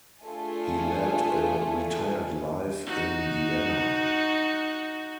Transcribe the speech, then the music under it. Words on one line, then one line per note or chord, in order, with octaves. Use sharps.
He led a retired life in Vienna.
A3 D4 F4 G#4 A4 G#5
D#4 F#4